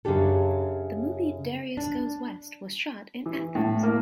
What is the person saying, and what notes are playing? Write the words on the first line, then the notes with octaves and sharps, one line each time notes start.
The movie "Darius Goes West" was shot in Athens.
F#2 C#3 D4 G4 A4
D4
E3
A2
A#3